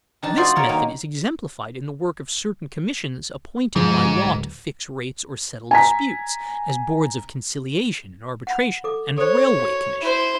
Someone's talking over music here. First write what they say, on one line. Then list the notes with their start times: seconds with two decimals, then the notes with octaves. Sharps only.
This method is exemplified in the work of certain commissions appointed by law to fix rates or settle disputes, as boards of conciliation and arbitration and railway commissions.
0.23 D#3 D4 A5
0.37 F4 F#4 C5 D5 D#5
0.56 A4 A#4 C#5
0.69 D#3 A#3
3.76 G1 G#2 F3 G#3
4.25 D1
5.71 G#5 A#5 B6
8.47 F#5 B5
8.84 A4 D6
9.18 A4 C5 C#5
9.60 F#4
10.00 E4 C5